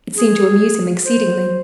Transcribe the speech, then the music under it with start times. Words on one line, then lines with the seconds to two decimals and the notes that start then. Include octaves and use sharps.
It seemed to amuse him exceedingly.
0.16 G#4
1.05 C5